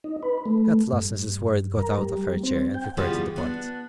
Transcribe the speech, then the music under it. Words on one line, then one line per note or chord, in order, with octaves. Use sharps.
At last Mrs. Worrett got out of her chair, and prepared to depart.
D#4
B4
A3
G2
A#4
G3
C4
G5
C#3 E3 F3 G3 B3
B3 D4